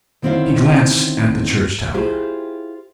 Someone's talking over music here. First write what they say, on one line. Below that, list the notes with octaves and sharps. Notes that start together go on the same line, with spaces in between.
He glanced at the church tower.
D3 D#3 C4 C#4 E4 F5
E4 F4 G4 G#4 C5